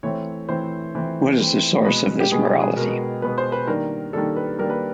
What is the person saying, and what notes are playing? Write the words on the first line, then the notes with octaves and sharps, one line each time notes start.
What is the source of this morality?
E3 A3 C4 C#5
E3 A3 C4 C5
E3 A3 C4
E3 A3 C4
B2 G#3 B3 B4
G4
B2 G#3 B3 G#4
G4
G#4
B2 G#3 B3 A#4
B2 G#3 B3 B4
C5
B4
D#3 G3 A#3 D4 A#4
D#3 G3 A#3 D4 A4
B4
D#3 G3 A#3 D4 A#4
B4